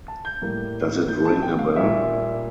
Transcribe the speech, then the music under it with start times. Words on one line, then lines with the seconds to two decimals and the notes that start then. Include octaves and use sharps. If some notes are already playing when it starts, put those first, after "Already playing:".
Does it ring a bell?
0.08 A5
0.25 G6
0.42 A2 G3 A#3
1.08 G6
1.25 A5
1.43 G5
1.59 F5
1.76 A#2 G3 A#3 E5